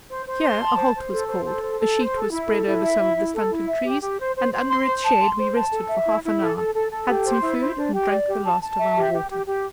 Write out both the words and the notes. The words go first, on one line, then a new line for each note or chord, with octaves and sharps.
Here a halt was called; a sheet was spread over some of the stunted trees, and under its shade we rested for half an hour, had some food, and drank the last of our water.
C5
C5
C6
A5
C5
C5
A4
C5
A4
C5
A4
C5
A4
E4
A4
E4
E5
E4
E4
A4
E4
E5
G4
G4
C5
C5
C5
C6
C5
A5
C6
C5
A5
A4
E5
E4
E4
A4
A4
A4
A4
G4
C5
E4
C5
D4
G4
D5
G4
A5
A5
E5
G4
G4
G4
G4